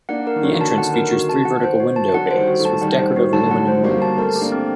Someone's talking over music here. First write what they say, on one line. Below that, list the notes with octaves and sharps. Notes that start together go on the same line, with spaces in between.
The entrance features three vertical window bays with decorative aluminum mullions.
A#3 D4 F#5
A#4
D#3
D3 F#3 F#4
A5
D3
D#3 F#5
A#4
F#4
A5
F#5
C5
F#4
A5
D3 F#3 F#5
C5
D#3 G3
F#4
F#3 A3
A5
D#3 G3 F#5
D#3 G3 C5
F#4
D3 F#3 A5
D3 F#3 F#5
C5
G3 A#3 F#4
A5
A3 C4 A#4
G4
A#3 D4
C4